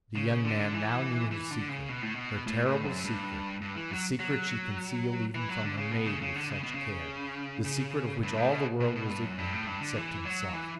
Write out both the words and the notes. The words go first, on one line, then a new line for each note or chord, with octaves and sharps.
The young man now knew her secret, her terrible secret--the secret she concealed even from her maid with such care, the secret of which all the world was ignorant, except himself.
C#3
D3
E3
E3
D3
C#3
B2
A2
B2
A2
A2
F#2
G2
G2
E3
F#3
F#3
E3
F#3
D3
C#3
B2
C#3
C#3
D3
C#3
B2
C#3
C#3
G2
A2
B2
B2
B2
G2
F#2
G2
A2
G2
D3
E3
F#3
E3